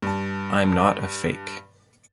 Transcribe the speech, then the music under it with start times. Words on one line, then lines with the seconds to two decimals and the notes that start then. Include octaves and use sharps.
I'm not a fake.
0.02 G2 A5